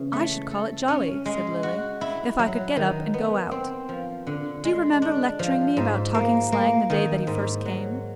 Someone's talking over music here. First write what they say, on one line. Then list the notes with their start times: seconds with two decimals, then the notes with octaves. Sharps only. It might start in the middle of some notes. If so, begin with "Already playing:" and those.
"I should call it jolly," said Lily, "if I could get up and go out. Do you remember lecturing me about talking slang the day that he first came?"
Already playing: C#3 E3
0.13 A3
0.51 A4
0.88 C#4
1.26 G#3
1.63 F#4
2.01 E4
2.39 F#3
2.77 D#3
3.14 B3
3.51 C4
3.89 F3
4.27 D3
4.65 G#3
5.02 D4
5.39 F3
5.77 G#2
6.14 A#3
6.52 A#3
6.90 D#3
7.27 G#2
7.65 F#3